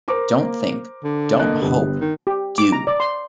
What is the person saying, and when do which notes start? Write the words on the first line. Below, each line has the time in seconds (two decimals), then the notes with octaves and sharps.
Don't think, don't hope, do!
0.08 A#4 C5 D6
0.40 A#3
1.04 D3
1.39 A#3 D#5 F#6
1.60 G1 G3 B3
2.01 D#3
2.27 G4
2.58 D6
2.72 A#5
2.87 D5
3.00 C6